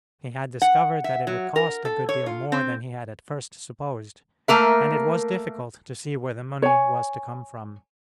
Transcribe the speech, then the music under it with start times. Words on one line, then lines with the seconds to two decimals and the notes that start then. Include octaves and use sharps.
He had discovered that it would cost a good deal more than he had at first supposed, and it was difficult to see where the money was to come from.
0.62 F#5
1.04 E5
1.27 F#3
1.56 A#4
1.85 A4
2.09 C#5
2.26 F4
2.52 C4
4.48 A3 A#3 A#4 E5
6.62 C#5 G#5